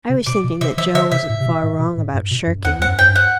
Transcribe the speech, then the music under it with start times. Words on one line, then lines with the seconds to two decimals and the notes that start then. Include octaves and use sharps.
I was thinking that Jo wasn't far wrong about shirking.
0.10 C3
0.26 B2 D5
0.44 B2
0.61 C3 E5
0.77 E3 E5
0.94 D3 E5
1.12 C3 E5
1.29 A2
1.40 C3
1.46 B2
1.63 A2
1.79 B2
1.97 A2
2.14 G2
2.31 B2
2.47 F#2
2.65 E2 F#5
2.79 E2 F#5
2.87 F#2
2.99 F#2 G5
3.09 G2
3.16 F#5